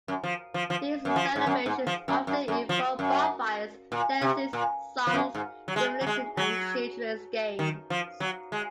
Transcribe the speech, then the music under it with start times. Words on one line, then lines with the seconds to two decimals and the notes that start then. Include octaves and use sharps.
These celebrations often involve bonfires, dances, songs, divination and children's games.
0.08 F#2
0.24 F3
0.54 F3
0.70 F3
1.05 F#2
1.16 F3
1.36 G#2
1.47 F#2
1.66 G#2
1.87 F3
2.08 F#2
2.27 F#2
2.48 F#2
2.69 F3
2.99 F#2
3.92 A#2
4.21 C3
4.53 A#2
5.07 F3
5.14 F#2
5.35 G#2
5.68 F#3
5.76 G#3
6.01 F#3
6.07 G#3
6.37 F#3
7.59 D#3
7.90 F3
8.20 F#3
8.52 G#3